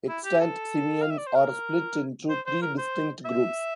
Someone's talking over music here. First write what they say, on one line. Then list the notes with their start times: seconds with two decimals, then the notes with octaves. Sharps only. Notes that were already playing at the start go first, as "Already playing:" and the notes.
Extant simians are split into three distinct groups.
0.09 E4
0.25 G4
0.40 A4
1.02 F5
1.10 E5
1.18 D5
1.27 C5
1.35 A#4
2.30 C5
2.47 C5
2.62 A#4
2.78 C5
3.25 E5